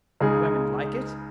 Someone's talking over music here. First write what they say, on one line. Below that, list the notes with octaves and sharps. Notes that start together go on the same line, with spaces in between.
"Women like it."
C#2 C#3 G#3 D#4 G#4